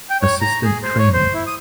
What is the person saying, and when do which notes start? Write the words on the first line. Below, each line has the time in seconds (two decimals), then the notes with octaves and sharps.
Assistant training.
0.10 G5
0.22 C#5
0.41 A#5
0.64 G#4
0.83 C5
0.98 C#5
1.13 C5
1.34 E4
1.47 D#6